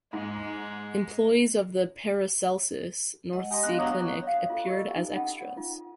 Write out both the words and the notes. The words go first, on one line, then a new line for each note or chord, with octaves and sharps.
Employees of the Paracelsus North Sea Clinic appeared as extras.
G#2 G#3
G#3 D#5 F#5
G4 D#5 G#5 A#5 C6 D#6
B3 D4 F5 F#6
F#3 D6 D#6
C#5 F5
F4 F#4 A4
G4 D#5 E6
D#4 G#5
C#4 D#4 F#5 A5 B5 D#6
D#4 F4